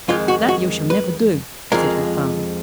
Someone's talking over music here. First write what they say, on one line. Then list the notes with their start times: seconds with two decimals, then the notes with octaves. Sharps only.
"That you shall never do!" said her father.
0.08 F2 D#3 G#3 F4
0.28 F#4
0.48 F#4
0.90 B4
1.72 F2 F3 G#3 A#4